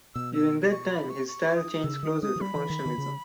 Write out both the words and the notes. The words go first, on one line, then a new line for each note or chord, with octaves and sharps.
During that time his style changed closer to functionalism.
B2 E6
E6
C#6
B5
C#6
C#6
D#6
C#3 E6
D#3 D#6
G#3 D#6
E3
G3 B5
E3
D#3
D#3
C#3